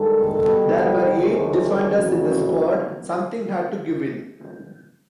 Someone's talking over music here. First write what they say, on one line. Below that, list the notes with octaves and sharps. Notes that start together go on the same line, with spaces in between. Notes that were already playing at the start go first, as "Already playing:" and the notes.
There were eight defenders in the squad, something had to give in.
Already playing: G2 D#3 G#3 A4
B2 G3 B3
D2 C3 D#3 F#3 G#4
F2 C#3 E3 A3 F#4